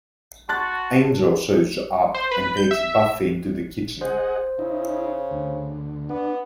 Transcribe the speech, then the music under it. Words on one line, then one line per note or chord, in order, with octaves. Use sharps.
Angel shows up and takes Buffy into the kitchen.
F#4 A5 C6 F#6 A6
C5
B4
G6
E5
G#4 C5 D#5 F#5
C#3 D#4 E4
D2
B3 D4